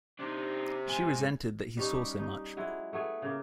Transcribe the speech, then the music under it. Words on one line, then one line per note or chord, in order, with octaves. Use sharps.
She resented that he saw so much.
C3 D4 D#4
G#2 G#5
G3 C#4 D#4
G4
D#4
F#3 G#3 E4
A3 B3 G#4
C#3 A#3